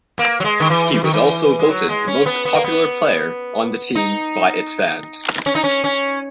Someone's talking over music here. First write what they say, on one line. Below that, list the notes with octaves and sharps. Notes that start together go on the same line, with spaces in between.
He was also voted the most popular player on the team by its fans.
A#3
F#3
G#3
D#3
E3
E3
D#3
E3
G#3
F#3
G#3
C#4
B3
B3
A#3
B3
D#4
C#4
D#4
C#4
C#4